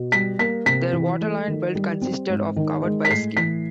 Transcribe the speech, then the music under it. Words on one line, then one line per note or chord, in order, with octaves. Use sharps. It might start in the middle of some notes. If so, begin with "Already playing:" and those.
Their waterline belt consisted of covered by a skin.
Already playing: B2
G3 B6
A#3 B6
C3 B6
E3
A3
D#3
G3
C4
G#2
D#3
G#3
B6
A2 C7
E3 B6